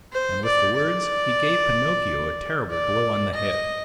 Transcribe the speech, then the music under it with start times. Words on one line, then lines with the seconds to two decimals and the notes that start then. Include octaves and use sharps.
And with the words, he gave Pinocchio a terrible blow on the head.
0.12 C5
0.45 D5
0.76 D5
2.70 D5
3.34 D#5